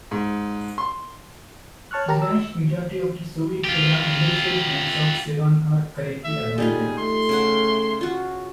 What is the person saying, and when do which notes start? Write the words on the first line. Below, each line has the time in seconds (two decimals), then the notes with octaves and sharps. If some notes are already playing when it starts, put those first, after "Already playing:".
The vast majority of the Soviet-era industrial plants of Sevan are currently abandoned.
0.11 G#2
0.78 C6
1.91 C#5 A5 C#6 F6 F#6
2.08 G4 A#4 A5 A#5
2.22 E6
3.64 F4 G4
6.24 A3 E5
6.58 G3 D#4 F4 G#4
6.98 A3 C6
7.29 C#3 F#5
8.01 F4 F#4